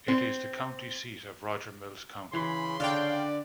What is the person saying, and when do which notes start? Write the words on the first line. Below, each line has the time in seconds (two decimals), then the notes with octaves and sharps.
It is the county seat of Roger Mills County.
0.08 C4
2.33 C#3 E3 B5 C6
2.80 D3 D4 D5 F5 G5